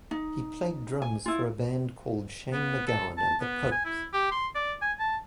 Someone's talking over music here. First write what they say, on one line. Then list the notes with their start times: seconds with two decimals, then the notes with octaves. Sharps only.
He played drums for a band called Shane MacGowan and The Popes.
0.11 D#4
1.02 G#5
1.26 E4 F4
2.53 B3
2.87 A4
3.18 A5
3.41 B3
3.72 G#5
3.85 E4
4.13 G4
4.32 C6
4.55 D5
4.82 G#5
4.99 A5